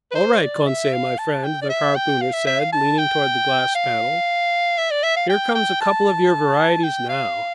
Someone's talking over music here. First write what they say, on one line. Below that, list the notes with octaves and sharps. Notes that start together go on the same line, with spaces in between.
"All right, Conseil my friend," the harpooner said, leaning toward the glass panel, "here come a couple of your varieties now!"
B4
C5
D5
E5
F5
A5
G5
D5
E5
G5
F5
E5
E5
F5
A5
G5
F5
E5
D5
E5
F5
G5
G5
A5
G5
F5